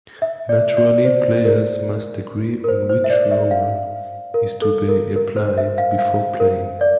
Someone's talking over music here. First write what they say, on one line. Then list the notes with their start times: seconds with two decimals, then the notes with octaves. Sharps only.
Naturally, players must agree on which rule is to be applied before playing.
0.22 E5
0.49 D5
0.77 D5
1.05 C5
1.45 A#4
2.64 A#4
2.68 C5
2.89 C5
3.04 E5
3.10 D5
3.31 E5
3.51 F5
4.34 A#4
4.62 A4
4.88 A#4
5.16 A#4
5.36 C5
5.58 E5
5.78 F5
5.99 F5
6.40 A#4
6.81 D5